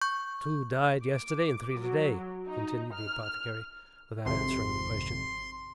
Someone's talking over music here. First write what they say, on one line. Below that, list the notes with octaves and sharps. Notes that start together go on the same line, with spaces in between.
"Two died yesterday, and three to-day," continued the apothecary, without answering the question.
C#6 G6
D6
F#3
D#4
F6
G#1 F2 C3 C6